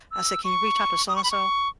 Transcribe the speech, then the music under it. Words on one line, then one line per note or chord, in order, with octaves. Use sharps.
I said, "Can you reach out to so-and-so?"
E6
C#6
D#6
C#6
B5
C#6